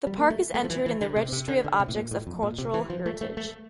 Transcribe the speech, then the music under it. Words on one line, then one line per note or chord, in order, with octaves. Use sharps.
The park is entered in the Registry of Objects of Cultural Heritage.
G3
A#3
A3
A3
F3
E3
E3
D3
C3
C3
D3
D3
C3
A2
A#2
A2
F2
A#2
C3
E3
F3
A3
A3
A3